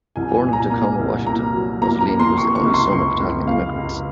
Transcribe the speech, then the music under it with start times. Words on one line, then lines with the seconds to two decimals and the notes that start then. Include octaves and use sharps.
Born in Tacoma, Washington, Rosellini was the only son of Italian immigrants.
0.16 C2 G#5
0.35 G#5
0.44 A#2
0.53 A#5
0.71 A#3 G#5
0.99 C2
1.26 A#3 A#5
1.54 F#3
1.82 A#3 A#5
2.01 A#5
2.09 A#3
2.19 C6
2.37 C3 C#6
2.55 C#6
2.65 C#2
2.74 C6
2.92 C#2 C#6
3.20 C#2
3.47 C#2 F5
3.76 C#2